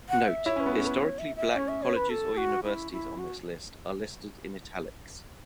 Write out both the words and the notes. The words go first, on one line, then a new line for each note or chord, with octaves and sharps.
Note: "Historically black colleges or universities on this list are listed in italics".
F#5
E5
E4 C#5
C#4 B4
B3
C#4 F#4
A4
B4
C#5
E5
E5
C#4 C#5
E5
C#5
B4
A4
F#4
E4
E4
F#4